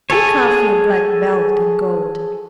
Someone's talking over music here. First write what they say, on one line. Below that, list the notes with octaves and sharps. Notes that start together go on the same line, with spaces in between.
Take off your black velvet and gold!
G#4 A4 C#5